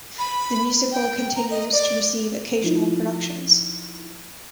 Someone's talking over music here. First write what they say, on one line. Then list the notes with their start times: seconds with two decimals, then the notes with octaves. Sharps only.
The musical continues to receive occasional productions.
0.19 B5
0.92 G5
1.36 A#5
1.51 D#5
1.72 D5
2.64 F3 D#4 E4